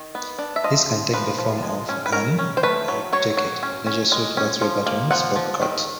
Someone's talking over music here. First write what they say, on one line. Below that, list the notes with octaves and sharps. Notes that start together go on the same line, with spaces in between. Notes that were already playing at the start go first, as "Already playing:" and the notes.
This can take the form of an Ike jacket, leisure suit or three-button sportcoat.
Already playing: D#3
B3
D4
E5
F3 D#5
F3
F3 B4
F3
G#3
C#4
B4
C#4 A#4
C#4
C5
A3 B4
F#3
F#3 C#5
F#3
C#4
C#4
G#3
C#4
F3
A#3
F3 F#5
F3
D#3